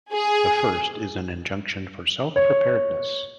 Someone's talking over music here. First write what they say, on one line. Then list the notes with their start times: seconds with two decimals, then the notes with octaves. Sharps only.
The first is an injunction for self-preparedness.
0.12 G#4
2.36 C#5